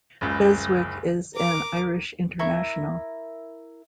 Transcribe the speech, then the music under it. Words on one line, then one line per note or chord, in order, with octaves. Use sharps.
Beswick is an Irish international.
F#1 C#2
A#4 D6
E4 A#4 C#6